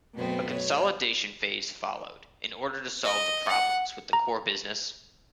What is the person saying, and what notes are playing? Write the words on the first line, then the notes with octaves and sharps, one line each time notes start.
A consolidation phase followed, in order to solve the problems with the core business.
F#2 B2 A3 B3 C4
C#5
D#5
F#5
A#5